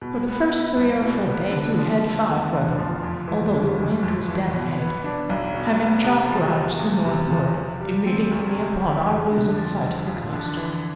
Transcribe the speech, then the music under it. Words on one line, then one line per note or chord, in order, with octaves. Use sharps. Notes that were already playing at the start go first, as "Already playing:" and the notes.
For the first three or four days we had fine weather, although the wind was dead ahead; having chopped round to the northward, immediately upon our losing sight of the coast.
B2
B3
E4
C2
B2
B3
D3
F3
A3
E2
D3
F3
F2
E3
G1
G1
F2
E3
B2
B3
D4
B1
B2
B3
C3
F3
E2
E2
C3
F3
C3
G3
C4
D2
C3
G3
F2
D3
F3
F1
F2
D3
E3